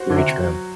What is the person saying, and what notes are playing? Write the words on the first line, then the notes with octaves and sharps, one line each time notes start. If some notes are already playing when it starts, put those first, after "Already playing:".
very true.
Already playing: F#4 C5
D3
C3 F#4
F#3